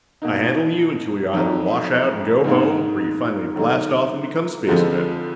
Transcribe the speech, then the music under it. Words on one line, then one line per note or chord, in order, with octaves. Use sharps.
I handle you until you either wash out and go home, or you finally blast off and become spacemen.
B2 A#3 D#4
F2 D#3 F#3
G#2 D#3 A#3 D#4
D3 F#3 A#3 D#4
F2 D3 F3 G#3